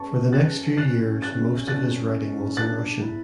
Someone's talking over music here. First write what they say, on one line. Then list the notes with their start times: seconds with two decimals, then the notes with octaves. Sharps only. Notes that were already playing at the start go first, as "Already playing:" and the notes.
For the next few years most of his writing was in Russian.
Already playing: C#4 A5 C#6
0.32 F#6 A6
0.77 F#6 A6
1.22 F#6 A6
1.67 F#6 A6
2.57 D4 F#6 A6
3.02 E4